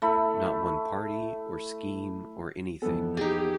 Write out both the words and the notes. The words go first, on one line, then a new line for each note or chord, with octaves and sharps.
Not one party, or scheme, or anything.
A3 E4 B5
F2 E3 B3 A4
D#4 G4 G#4